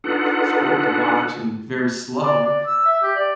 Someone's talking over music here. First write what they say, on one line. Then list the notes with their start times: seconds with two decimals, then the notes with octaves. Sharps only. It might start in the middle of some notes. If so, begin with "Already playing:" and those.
sport to watch and very slow.
0.04 D4 D#4 F4 A4 B4 F#5
2.24 D5
2.43 D5
2.67 E6
2.86 E5
3.03 G4
3.15 D5